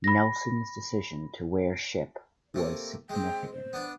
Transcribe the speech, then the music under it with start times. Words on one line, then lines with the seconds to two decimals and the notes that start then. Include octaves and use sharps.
Nelson's decision to wear ship was significant.
0.04 B5 A#6
2.54 C3 A3 A#3
3.09 G#3 C4 G5
3.52 C5
3.73 B3 D4